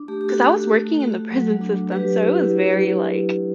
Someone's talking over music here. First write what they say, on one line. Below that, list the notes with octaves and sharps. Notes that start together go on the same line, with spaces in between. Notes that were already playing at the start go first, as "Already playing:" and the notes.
'cause I was working in the prison system, so it was very, like,
Already playing: D4
A3 G4
G4
F#4 A4
F#4
F#4 A4
A3
F#4
F#3
D4
F#3 G4 B4
E4 G4